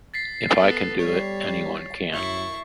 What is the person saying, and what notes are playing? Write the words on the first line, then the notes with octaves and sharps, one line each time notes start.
If I can do it, anyone can.
A6 B6 C7
B3 A4
G3 C#5
F#2 E4 C#6